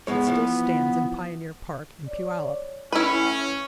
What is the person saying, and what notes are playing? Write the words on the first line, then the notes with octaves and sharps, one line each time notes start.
It still stands in Pioneer Park in Puyallup.
A2 G#3 B3 C#5
E3 F3
C#5 D5
A2 C#4 E4 B4